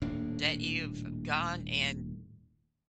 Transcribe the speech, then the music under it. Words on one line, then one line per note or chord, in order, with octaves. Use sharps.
that you've gone and,
D#1 A2 A#3 D4